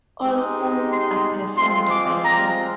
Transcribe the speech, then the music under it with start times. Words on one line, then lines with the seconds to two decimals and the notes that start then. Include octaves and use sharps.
All songs are performed by her.
0.23 G#3 D#4 G4
0.90 C6
1.57 G#3 C4 F4 C6
1.91 D6
2.24 A#5